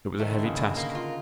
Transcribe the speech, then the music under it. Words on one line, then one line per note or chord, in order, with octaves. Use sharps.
It was a heavy task.
D#3 A3
D3
E3
C#3
B2 D3
A#3
F4